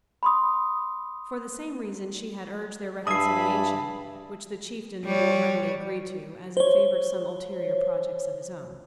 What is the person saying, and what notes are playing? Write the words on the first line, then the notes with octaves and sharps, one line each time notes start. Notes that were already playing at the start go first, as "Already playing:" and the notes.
For the same reason she had urged their reconciliation, which the Chieftain the more readily agreed to as it favoured some ulterior projects of his own.
B5 C6 D#6
G2 D5 E5 G#5 A5 B5 D#6 C7
G3 C#5
C5 C#5